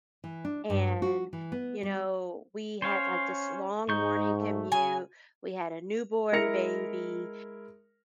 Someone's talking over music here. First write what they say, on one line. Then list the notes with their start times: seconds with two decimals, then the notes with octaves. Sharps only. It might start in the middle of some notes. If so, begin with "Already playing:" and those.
And, you know, we had, like, this long morning commute. We had a newborn baby.
0.24 E3
0.45 D4
0.70 G2
1.02 F#4
1.33 E3
1.52 B3
1.83 G3
2.82 C#4 C5 C#5 F5
3.89 G#2 D#4 C#6 G6
4.40 A3
4.72 C#3 G#5
6.32 G#3 E4 A#4 A#6 C#7 F7